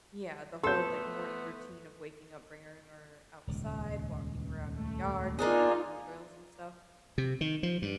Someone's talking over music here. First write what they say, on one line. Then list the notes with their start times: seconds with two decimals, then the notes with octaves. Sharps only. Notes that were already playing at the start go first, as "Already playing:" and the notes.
yeah, the whole, like, morning routine of waking up, bringing her outside, walking around our yard- we have walking trails and stuff-
0.63 A3 B3 A4 C6 G6
3.47 D#1 C#2 G#2
4.74 A3
5.39 A#3 B3 D4 D#4 F4 G#4
7.18 C3
7.41 D#3
7.63 F3
7.82 G2